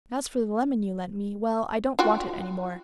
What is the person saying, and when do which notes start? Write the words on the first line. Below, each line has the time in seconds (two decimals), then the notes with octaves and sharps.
And as for the lemon you lent me, well, I don't want it any more.
1.99 F4 F#4 G5